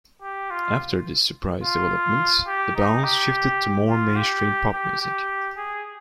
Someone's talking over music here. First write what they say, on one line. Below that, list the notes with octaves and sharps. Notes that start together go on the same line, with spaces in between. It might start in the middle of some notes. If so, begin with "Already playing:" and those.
After this surprise development, The Bounce shifted to more mainstream pop music.
G4
F4
F4
G4
D#4
G4
F4
G4
G4
G4
G#4